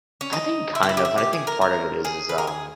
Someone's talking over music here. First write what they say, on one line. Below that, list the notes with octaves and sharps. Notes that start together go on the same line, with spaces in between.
I think kind of, and I think part of it is, is um
C#4
D#4
E4
G4
E4
G4
E4
G4
G#4
A#4
A#4
G#4
B4
A#4
G#4